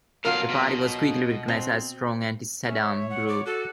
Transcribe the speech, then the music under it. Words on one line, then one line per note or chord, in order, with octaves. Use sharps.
The party was quickly recognized as a strong anti-Saddam group.
B2 F#3 F4 A#4 F5
B2
C4
C#4 E5
C#5
F#5
D6
F#4 A4